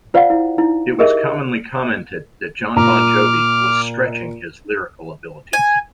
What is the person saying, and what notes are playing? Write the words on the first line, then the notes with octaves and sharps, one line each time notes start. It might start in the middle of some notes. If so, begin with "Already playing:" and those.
It was commonly commented that Jon Bon Jovi was "stretching" his lyrical abilities.
F4 C5 D5 F5 F#5
E4
D#4 E4
G4 G#4 A#4 D#5 E5
A#2 A#5 D6 F6
G#5